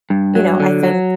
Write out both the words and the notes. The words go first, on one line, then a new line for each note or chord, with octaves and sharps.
you know, I think
G2
F#3
D3
F#3